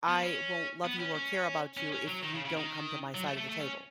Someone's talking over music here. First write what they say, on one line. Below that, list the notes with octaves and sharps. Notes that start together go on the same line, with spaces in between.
I won't love you or care about you if you don't come to my side of the table.
B3
C#4
B3
C#4
C#4
C#4
C#4
F#3
D#3
C#3
C#3
D#3
F#3
A3
A3
A3
C#4